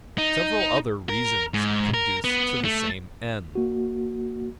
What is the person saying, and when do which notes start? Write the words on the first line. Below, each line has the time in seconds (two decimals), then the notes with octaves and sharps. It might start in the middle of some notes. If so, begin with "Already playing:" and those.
Several other reasons conduce to the same end.
0.18 D#4
1.09 A#4
1.54 G#2
1.94 A#4
2.24 B3
2.65 A3
3.55 A#3 F#4